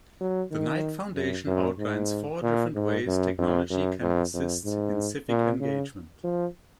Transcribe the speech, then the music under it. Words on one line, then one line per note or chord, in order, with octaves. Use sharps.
The Knight Foundation outlines four different ways technology can assist in civic engagement.
F#3
D#3
F#2
F#2
G#2
A#2
G#2
F#2
F2
F#2
F2
F2
G#2
A#2
C#3
F3